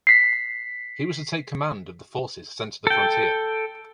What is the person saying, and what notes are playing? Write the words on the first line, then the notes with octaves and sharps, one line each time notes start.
He was to take command of the forces sent to the frontier.
B6 C7
A4 G5